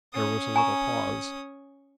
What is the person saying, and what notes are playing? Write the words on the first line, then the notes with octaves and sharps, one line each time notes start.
There was a little pause.
C#4 D#6
G#5 A#5 C#6